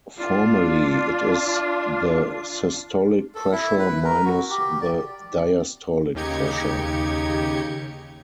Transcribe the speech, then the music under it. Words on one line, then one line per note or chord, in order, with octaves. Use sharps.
Formally it is the systolic pressure minus the diastolic pressure.
D4 F4
A4
E4
B4
A#4
F#4
G4
D5
D#2 C#3 D#4 G4 G#6 C#7